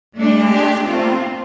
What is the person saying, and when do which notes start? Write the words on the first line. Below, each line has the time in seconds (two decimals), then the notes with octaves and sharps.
"May I ask why?"
0.17 A3 D4
0.51 D4 G4
0.86 C4 F4